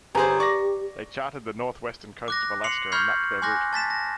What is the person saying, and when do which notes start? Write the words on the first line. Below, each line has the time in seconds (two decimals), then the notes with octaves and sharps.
They charted the north-western coast of Alaska and mapped their route.
0.15 G1 C#4 G4 G#4 B4 C5 A#5
0.40 D5 C#6 A#6
2.28 D6 F#6 A#6
2.64 C6 C7 C#7 F7 F#7
2.92 B5 C#6 F6 G6 G#6 C7
3.42 G#5 C6 D6 F#6 A#6
3.73 A5 A6 B6 E7
3.90 A#6